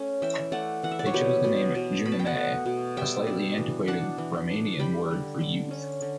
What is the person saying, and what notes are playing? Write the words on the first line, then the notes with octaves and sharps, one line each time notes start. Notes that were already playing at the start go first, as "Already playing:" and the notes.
They chose the name "Junimea", a slightly antiquated Romanian word for "Youth".
Already playing: A3 C#4
E3 E5 G5
A3 D5 F#5
E3 F#5
E5
D5
C#5
B2 G4 B4
B2
B2
B2 B5
A5
G5
F#5 A5
A3
B2
G3 E5 G5
D4
E3
D4 F#5 A5
E3
D4
G3 G5 B5
D3
D3
C#4
D3